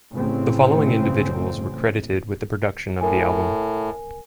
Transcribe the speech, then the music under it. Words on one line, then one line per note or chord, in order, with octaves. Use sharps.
The following individuals were credited with the production of the album.
A1 A2 C#3 C4
A2 A#4 G#5